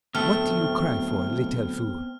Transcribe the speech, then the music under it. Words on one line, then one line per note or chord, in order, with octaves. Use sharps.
What do you cry for, little fool?'
D1 A3 B3 C4 G5 F6